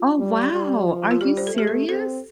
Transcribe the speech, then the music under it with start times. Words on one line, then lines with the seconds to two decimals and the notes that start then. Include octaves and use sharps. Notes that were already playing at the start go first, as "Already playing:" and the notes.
Oh wow! Are you serious?
Already playing: F4
0.19 G3
0.52 G3
0.87 F3
1.11 F4
1.21 G3 G4
1.37 C5
1.47 A4
1.54 A3 G4
1.67 A4
1.88 C4 A4